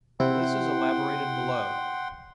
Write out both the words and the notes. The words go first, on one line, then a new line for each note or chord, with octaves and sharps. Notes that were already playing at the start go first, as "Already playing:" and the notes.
This is elaborated below.
C3 E4 F#5 G5 C6